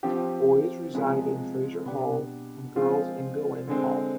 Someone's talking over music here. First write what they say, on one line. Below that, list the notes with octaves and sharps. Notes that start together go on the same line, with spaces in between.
Boys reside in Frazer Hall and Girls in Goen Hall.
F3 C4 G4
C3 F3 G#3 B3
B2 B3 D4 G4
F3 G#3 C4 F4
D3 G#3 C4